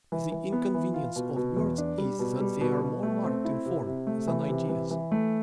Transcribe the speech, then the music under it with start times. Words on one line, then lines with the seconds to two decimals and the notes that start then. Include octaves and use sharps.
The inconvenience of words is that they are more marked in form than ideas.
0.12 E3
0.32 E3
0.52 B3
0.74 E3
0.94 F4
1.16 B2
1.36 B2
1.57 E2
1.78 D4
1.98 G3
2.19 B2
2.40 G3
2.61 B2
2.81 B2
3.03 A3
3.24 C4
3.45 E4
3.66 C3
3.87 C3
4.07 A3
4.27 E3
4.49 C3
4.69 E3
4.91 E3
5.12 A3